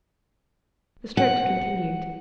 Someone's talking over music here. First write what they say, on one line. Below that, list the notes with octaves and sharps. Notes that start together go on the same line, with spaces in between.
The strokes continued.
F#5